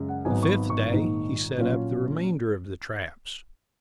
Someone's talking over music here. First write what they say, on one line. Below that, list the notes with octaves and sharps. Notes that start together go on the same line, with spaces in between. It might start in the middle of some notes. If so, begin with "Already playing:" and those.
The fifth day he set up the remainder of the traps.
Already playing: F#2 C#3 G#3
F#5
G#1 G#2 F#3 B3 D#4 G#5
C#6
B5
C#6
A#1 G#2 D#3
A#1 A#2 F#3 C#4 F4